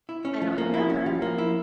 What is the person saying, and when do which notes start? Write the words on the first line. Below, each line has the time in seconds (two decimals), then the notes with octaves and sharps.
"I don't remember."
0.09 E4
0.25 C#4
0.42 F3
0.58 A#3
0.74 E4
0.90 C#4
1.06 F3
1.22 A#3
1.38 E4